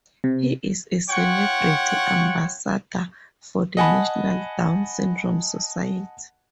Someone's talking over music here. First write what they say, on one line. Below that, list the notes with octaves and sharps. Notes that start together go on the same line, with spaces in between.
He is a celebrity Ambassador for the National Down Syndrome Society.
C3
F4 C#5 F#5 G5 C#6
D#5 F#5 G#5 A5 B5